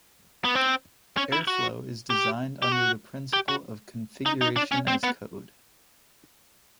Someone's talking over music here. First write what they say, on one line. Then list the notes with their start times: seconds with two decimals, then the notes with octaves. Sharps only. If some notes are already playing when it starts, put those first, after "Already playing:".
Airflow is designed under the principle of "configuration as code".
0.45 B3
0.55 C4
1.17 C#4
1.32 E4
1.48 F#4
2.10 G4
2.62 G4
2.72 F#4
3.33 G4
3.49 F#4
4.26 D#4
4.41 D#4
4.56 D4
4.72 C#4
4.88 C4
5.03 B3